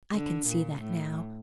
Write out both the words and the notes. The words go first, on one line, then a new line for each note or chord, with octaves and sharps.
I can see that now.
D3
A#2
A2